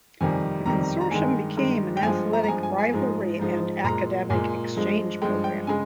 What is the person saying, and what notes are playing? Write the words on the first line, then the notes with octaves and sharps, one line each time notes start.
The consortium became an athletic rivalry and academic exchange program.
F2 C3 D#3 G3 G#5
F2 C3 D#3 G3 A#5
A#5
A#5
G2 D#3 G#3 G#5
G2 D#3 G#3
G5
G2 F3 G#3 G#5
A#5
A#5
G2 F3 G#3 G#5
G#5
G#5
G#2 F3 G#3
G#2 F3 G#3
A#2 G#3 A#5
A#2 G#3 G#5
G2 F3 G#3
G2 F3 G#3 G5
G5
C#3 G#3 G#5